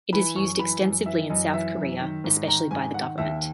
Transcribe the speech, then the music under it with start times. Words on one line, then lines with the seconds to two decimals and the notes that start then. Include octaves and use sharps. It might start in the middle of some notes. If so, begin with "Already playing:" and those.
It is used extensively in South Korea, especially by the government.
0.13 E3 B5
0.36 F#2 C#6
0.59 E3 B5
0.83 F#2
1.06 E3 E5
1.30 F#2 D#5
1.54 E3 E5
1.77 F#2
2.00 D#3
2.24 G#2
2.47 D#3 A#5
2.71 G#2 G#5
2.94 D#3 F#5
3.18 D#2 E5